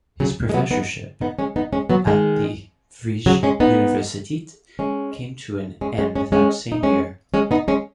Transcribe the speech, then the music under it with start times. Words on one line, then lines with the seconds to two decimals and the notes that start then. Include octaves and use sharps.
His professorship at the Vrije Universiteit came to an end that same year.
0.20 C#3 F#3
0.49 G#3
0.54 F#3 B3
0.71 B3 D#4
1.21 B3 D#4
1.39 G#3 C#4
1.56 B3 D#4
1.72 G#3 C#4
1.90 F#3 B3
2.07 D#3 G#3
3.26 C#3 F#3
3.43 G#3 C#4
3.60 B3 D#4
4.79 G#3 C#4
5.81 G#3 C#4
5.98 G#3 C#4
6.15 G#3 C#4
6.32 G#3 C#4
6.72 D#4
6.83 G#3 C#4
7.34 G#3 C#4
7.51 B3 D#4
7.68 G#3 C#4